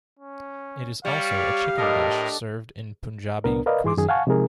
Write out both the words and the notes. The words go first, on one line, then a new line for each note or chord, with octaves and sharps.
It is also a chicken dish served in Punjabi cuisine.
C#4
G3 C#5 D5 F5
A2 D4 A4 A#4 D#5
C2 B3 D4 A#4
A#4 B4 D5 D#5 F5
E3 G#4 C6 D6
F#2 D#3 G#4
F5 F#5 G#5 A5 C#6
C3 F3 G#3 D#4 G#4 A#4